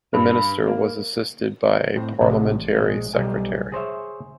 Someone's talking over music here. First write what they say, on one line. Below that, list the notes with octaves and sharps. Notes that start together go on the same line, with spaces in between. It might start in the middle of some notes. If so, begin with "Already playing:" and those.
The Minister was assisted by a Parliamentary Secretary.
G2
A#3
A2 C4
A1 A2 C3 G#3
A#1 G#3
B1 G3 D#5 G#5
G#4 C5 C#5 E5